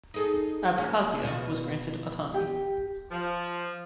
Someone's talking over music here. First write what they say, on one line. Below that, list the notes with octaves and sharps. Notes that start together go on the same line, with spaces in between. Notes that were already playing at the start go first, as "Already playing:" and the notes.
Abkhazia was granted autonomy.
D#4 G#4 A4
A#3 C#4
B2 F4 F#4
G4 G5
F3